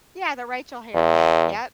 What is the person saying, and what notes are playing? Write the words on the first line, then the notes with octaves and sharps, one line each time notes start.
Yeah. The Rachel haircut. Yep.
E2